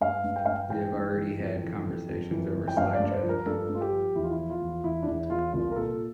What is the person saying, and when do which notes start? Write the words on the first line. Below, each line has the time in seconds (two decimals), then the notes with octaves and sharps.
We have already had conversations over Slack chat.
0.01 G2 F5
0.24 G2
0.36 G5
0.45 G2 F5
0.55 G5
0.70 E3 G5
0.93 G2
1.16 E3
1.39 F2
1.63 E3
1.85 F2
2.08 F2
2.31 E3
2.54 F2
2.68 G5
2.77 G2 F5
2.94 D5
3.00 G2
3.11 C5
3.23 F3
3.29 A#4
3.46 G2 A4
3.69 G2
3.74 F4
3.81 G4
3.92 F3
4.15 E2 E4
4.23 F4
4.31 E4
4.38 F3
4.50 F4
4.61 E2
4.84 E2 E4
5.03 D4
5.07 E2 E4
5.30 E2 F4
5.53 C2 F4
5.71 A#4
5.76 A#2 A4